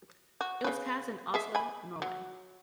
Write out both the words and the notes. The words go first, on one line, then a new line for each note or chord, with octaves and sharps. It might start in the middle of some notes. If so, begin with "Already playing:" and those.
It was cast in Oslo, Norway.
F#4
C#3 B4
G#3 G#4 E5
G#5 B5
F#3